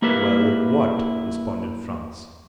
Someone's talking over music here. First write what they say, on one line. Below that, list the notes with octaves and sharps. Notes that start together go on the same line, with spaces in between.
"Well--what?" responded Franz.
A#3 E4 G4 A#4 B4 E5